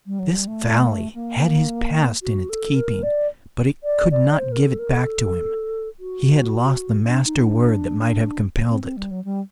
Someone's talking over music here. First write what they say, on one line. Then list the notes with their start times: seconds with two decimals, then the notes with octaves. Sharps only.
This valley had his past in its keeping, but it could not give it back to him; he had lost the master word that might have compelled it.
0.06 G3
0.19 F#3
0.33 G3
0.47 A3
1.15 A#3
2.23 F#4
2.49 A4
2.76 A#4
3.03 D5
3.84 D5
4.11 D5
4.38 C5
4.52 A#4
4.65 A4
4.79 A#4
4.92 A4
6.00 F#4
7.07 D4
7.25 D#4
7.44 D4
8.70 C4
8.83 C4
8.97 G3
9.11 F#3
9.25 G3